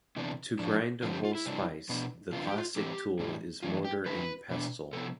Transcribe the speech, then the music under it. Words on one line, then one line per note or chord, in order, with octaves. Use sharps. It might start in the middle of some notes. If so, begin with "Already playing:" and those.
To grind a whole spice, the classic tool is mortar and pestle.
C3 E3 B3 D4
A2 F3 A3 D4
D3 F3 C4 F4
G4
F4
E4
C3 G3 D4
B2 B3 D4
C3 E3 B3 D4 F4
G4
F4
A2 E3 G3 C4 G4
A2 E3 G3
G2 E3 A3 D4 F4
G4
G2 D3 A3 B4
B2 B3 D4
C3 F3 B3 A4